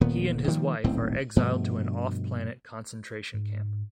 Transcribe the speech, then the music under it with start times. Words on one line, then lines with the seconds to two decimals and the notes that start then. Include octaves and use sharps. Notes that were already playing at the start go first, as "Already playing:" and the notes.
He and his wife are exiled to an off-planet concentration camp.
0.01 D#1 A#2 D#3 B3
0.48 D#3 F3 G3 A#3
0.84 D#1 B1 A2 C4
1.36 G2 B2 F3 A3
3.34 G#2